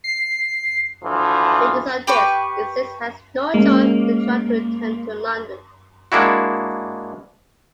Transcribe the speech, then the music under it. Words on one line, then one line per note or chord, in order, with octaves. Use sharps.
Because of this, Essex had no choice but to try to return to London.
C7
D2 E3 F3
G4 B4 C#6
G#3 A#3 C#4
G#3 A#3 D4 E4 F#4